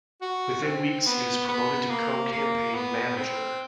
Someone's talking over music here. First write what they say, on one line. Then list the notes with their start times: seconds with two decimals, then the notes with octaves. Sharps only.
Within weeks he was promoted to co-campaign manager.
0.22 F#4
0.63 C4
1.06 B3
1.48 B3
1.91 A#3
2.32 A#3
2.74 B3
3.17 C4